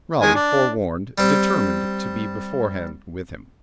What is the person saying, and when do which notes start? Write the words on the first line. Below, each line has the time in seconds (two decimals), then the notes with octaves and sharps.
Raleigh, forewarned, determined to be beforehand with him.
0.21 D#3 G#3 G#5
0.35 D4
1.18 G3 C4